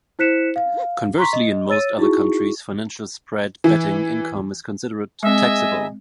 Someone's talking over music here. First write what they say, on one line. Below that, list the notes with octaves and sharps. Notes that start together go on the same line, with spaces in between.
Conversely, in most other countries financial spread betting income is considered taxable.
E4 C5 F#6 B6 C#7 E7
F5
A#5 C6 C#6 B6
D#5
C#5 E6 A6 D#7
D#4 E4 F#4 G#4 C#6
E3
G#3 C4 G#4 D#5 E5 G#5